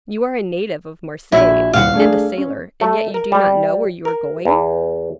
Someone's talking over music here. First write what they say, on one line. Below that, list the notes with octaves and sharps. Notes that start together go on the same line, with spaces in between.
"You are a native of Marseilles, and a sailor, and yet you do not know where you are going?"
A#1 E4 F#4 E6
D#1 C2 F5 F#5
A3 D4 G#4
C#4
A3
A#4
G3
A#4
E2